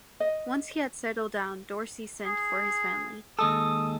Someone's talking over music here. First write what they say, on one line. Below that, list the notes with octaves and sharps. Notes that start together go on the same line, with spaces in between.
Once he had settled down, Dorsey sent for his family.
D#5
G#4
D#2 G#3 A4 D#6